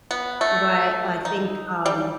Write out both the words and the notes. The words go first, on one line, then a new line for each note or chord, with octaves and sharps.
but I think, um
B3
A3
D#4
G3